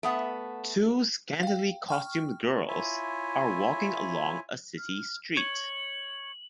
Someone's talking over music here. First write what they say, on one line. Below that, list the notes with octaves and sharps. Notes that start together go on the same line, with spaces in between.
Two scantilycostumed girls are walking along a city street.
A3 B3 F#5
F5 G5
G5 C#6 F6
E4 F4 C#5 E5 G#5
F6
C#5 F#7